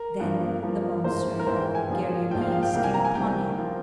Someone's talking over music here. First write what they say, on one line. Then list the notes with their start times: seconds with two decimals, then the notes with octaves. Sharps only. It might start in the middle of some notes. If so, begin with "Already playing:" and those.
Then the monster Geryoneus came upon him.
Already playing: A#4
0.20 G2 F3 A#3
0.62 G2 F3 A#3
1.04 A#1 G#2 E3 A#3 E4 C5
1.40 A#4
1.46 A#1 G#2 E3 A#3 E4 C5
1.61 G5
1.75 G#5
1.89 A#1 G#2 F3 A#3 F4
2.31 A#1 G#2 F3 A#3 F4 G5
2.41 F5
2.52 F5
2.63 G5
2.73 C2 C3 G3 A#3 G5
2.84 G#5
2.94 A#5
3.05 G#5
3.15 C2 C3 G3 A#3 G5
3.58 F3 A#3 F4